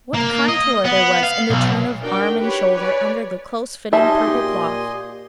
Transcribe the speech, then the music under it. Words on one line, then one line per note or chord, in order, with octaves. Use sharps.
What contour there was in the turn of arm and shoulder under the close-fitting purple cloth!
A#3
D#5
B3
F5
B1
D4 D#4 F#4 A#4 D5 G5
G4 B4 C#5
B4 C#5 D5 G#5
D#4 G4 D#5 E5 G#5 A5 C6
A#2 G4